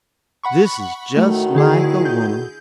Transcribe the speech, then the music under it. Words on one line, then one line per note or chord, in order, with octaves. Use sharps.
This is just like a woman.
F#5 B5 C#6
A2 D#3 A3 F#4
D3 E4 G#4
G6